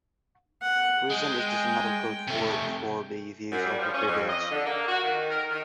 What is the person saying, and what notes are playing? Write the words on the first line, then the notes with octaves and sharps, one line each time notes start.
Reason is just another code word for the views of the privileged.
F#5
G#3 G5
C3 A3
F#2
G3
F3
C#4
F2
D#5
D3
A#3
F#4
D#3
A#4
D#3